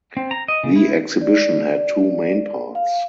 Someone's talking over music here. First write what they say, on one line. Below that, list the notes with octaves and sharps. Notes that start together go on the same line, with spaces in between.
The exhibition had two main parts.
C4
A#5
D#5
C#3
E4
D5
F5